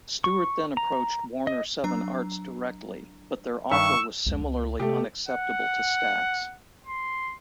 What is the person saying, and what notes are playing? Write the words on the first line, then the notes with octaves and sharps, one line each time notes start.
Stewart then approached Warner-Seven Arts directly, but their offer was similarly unacceptable to Stax.
C#6
A#5
D#5
F#3 D4 A#5
G2 D#3 E5 C#6 E6
C2 F2 G#3
C#2
C3 A3 G4
F#5
C6